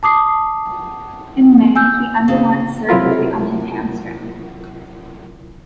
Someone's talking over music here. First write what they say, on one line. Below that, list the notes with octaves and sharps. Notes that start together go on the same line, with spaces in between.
In May, he underwent surgery on his hamstring.
A5 D6 D#6 C7
G#5 E6 G6
C#3
C3 F#3 E4 F4 A#4